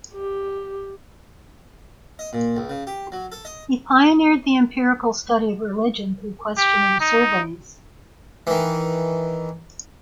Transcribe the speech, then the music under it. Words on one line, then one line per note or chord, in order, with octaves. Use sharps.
He pioneered the empirical study of religion through questionnaire surveys.
G4
D#5
A#2
C#2
C#3
G4
F#3
A4
D#5
G4
D#4
D#3 E3